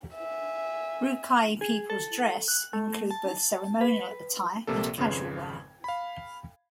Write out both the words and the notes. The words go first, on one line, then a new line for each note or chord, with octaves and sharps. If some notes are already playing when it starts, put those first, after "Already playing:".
Rukai people's dress include both ceremonial attire and casual wear.
E5 G#5
G#4
A4
F#6
A3
A5
B4
A#1 C3 A#3 A4
G#1 F2 C#3 B4 C6 G#6
F5 B5